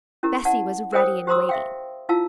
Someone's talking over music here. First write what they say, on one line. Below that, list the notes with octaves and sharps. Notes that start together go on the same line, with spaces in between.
Bessy was ready and waiting.
C#4 E4 G4 A#4
D5 F#5 A5
A#4 C5 C#5 G5 D#6
G4 C5 A#5 C6 D#6 E6
E5 F5 G5
E4 F4 F5 A5 E6